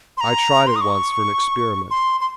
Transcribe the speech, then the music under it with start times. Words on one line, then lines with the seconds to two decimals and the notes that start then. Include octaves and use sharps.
I tried it once for an experiment.
0.17 C6
0.21 A#5
0.67 C6
0.76 D#6
0.81 C#6
1.91 C6
2.21 C6